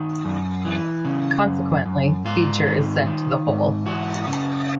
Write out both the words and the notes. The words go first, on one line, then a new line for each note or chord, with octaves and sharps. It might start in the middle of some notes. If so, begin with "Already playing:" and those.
Consequently, Beecher is sent to the hole.
Already playing: D#3 F#4
F#2
E3
C#3
F#2
F#2
G#2 F4
D#3
D#3
G#2
E3 F#4
C#3